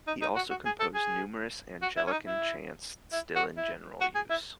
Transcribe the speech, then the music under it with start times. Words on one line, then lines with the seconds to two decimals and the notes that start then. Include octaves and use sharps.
He also composed numerous Anglican chants still in general use.
0.07 D#4
0.22 D#4
0.36 F#4
0.50 F#4
0.65 G#4
0.80 A4
0.94 G#4
1.82 F#4
1.97 E4
2.07 C#4
2.11 D#4
2.26 E4
3.13 E4
3.36 F#4
3.57 E4
4.01 F#4
4.15 G#4
4.30 E4